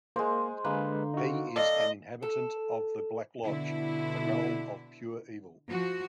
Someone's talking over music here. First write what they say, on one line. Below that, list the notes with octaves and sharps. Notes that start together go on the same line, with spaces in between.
He is an inhabitant of the Black Lodge, a realm of pure evil.
G#3 A#3 C5
D3 G#3 A#3 B4
D#4 F#4
A4 D5 D#5 F5
A4
B2 D3 E4
F3 F#4